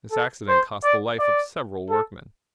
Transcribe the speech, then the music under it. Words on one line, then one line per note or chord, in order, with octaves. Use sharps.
This accident cost the life of several workmen.
A4
C5
D5
D5
A4